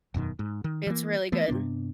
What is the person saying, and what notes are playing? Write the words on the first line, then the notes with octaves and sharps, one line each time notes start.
it's really good.
E1 F#2 B2 D#3
G#2
D#3
E3 A#3
E3 A3 B3
G2 C3 B3 D4